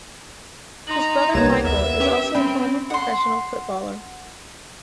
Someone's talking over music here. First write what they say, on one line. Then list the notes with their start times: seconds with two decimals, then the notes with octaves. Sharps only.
His brother Michael is also a former professional footballer.
0.87 D#4 A#5 C6 F#7
1.34 C2 A#3 B3 G4 C#5 G#6 E7
1.65 D#2 E5
2.00 C#4 G4 B4
2.35 C4 C#4 G5 B5
2.90 F#5 C6